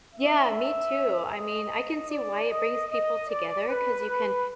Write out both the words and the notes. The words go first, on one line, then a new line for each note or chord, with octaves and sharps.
Yeah, me too, I mean, I can see why it brings people together, 'cause you can
E5
D#5
D5
D#5
D#5
D5
B4